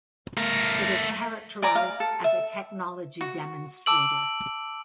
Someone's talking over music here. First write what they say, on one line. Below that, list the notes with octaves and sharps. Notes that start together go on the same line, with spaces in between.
It is characterized as a technology demonstrator.
A3 A#4
D5 G#5 A#5 D6
F5
A4
E5
F#4
A5 D6 E6 D7 F#7